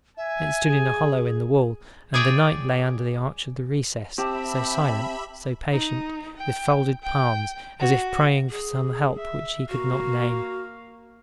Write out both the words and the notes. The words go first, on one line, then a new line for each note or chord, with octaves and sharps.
It stood in a hollow in the wall, and the knight lay under the arch of the recess, so silent, so patient, with folded palms, as if praying for some help which he could not name.
E5 G#5
G#4
G#4 C#5 D5 E5 G5
C4 G4 E5 A5 B5
D#4
G5
G5
F#4
G#4
E5
A#3 F#4 F5